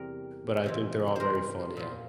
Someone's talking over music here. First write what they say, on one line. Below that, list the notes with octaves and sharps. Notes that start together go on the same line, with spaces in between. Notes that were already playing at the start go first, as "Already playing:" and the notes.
but I think they're all very fun, yeah.
Already playing: E2 C3 G3 G4 A#4
F2 C3 E3
A#4 C5
A#2 F3